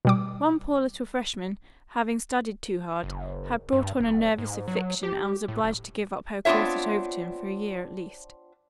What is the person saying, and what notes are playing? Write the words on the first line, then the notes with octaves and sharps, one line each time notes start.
One poor little freshman, having studied too hard, had brought on a nervous affection and was obliged to give up her course at Overton for a year at least.
B2 G3 D6
F#1
G2
D1
G#2
F#3
G4
A2
D1
B3 C4 D4 F4 C#5 E5